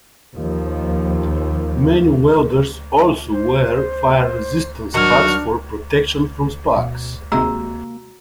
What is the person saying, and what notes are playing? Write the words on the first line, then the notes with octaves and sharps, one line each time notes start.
Many welders also wear fire-resistant spats for protection from sparks.
D#2 F3
C5
D#3 F#3 D4 F#4 F6
B2
D#2 C3 G#3 A#3 F#4 A#5 E6